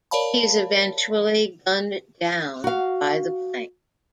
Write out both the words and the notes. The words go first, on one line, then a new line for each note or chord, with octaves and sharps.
He is eventually gunned down by The Blank.
A#4 C#5 D5 F5 A5 B5
F#4 F5